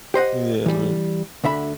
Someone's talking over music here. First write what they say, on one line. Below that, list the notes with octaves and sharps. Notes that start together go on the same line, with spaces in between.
Yeah man,
G4 C5 D#5 F#5
E3 G3
D2 D3 E5 B5